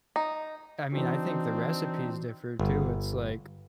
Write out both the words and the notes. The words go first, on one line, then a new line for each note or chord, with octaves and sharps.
I mean, I think the recipes differ too. It's like,
D#4
E3 C4 D4 D#4 F#4
G1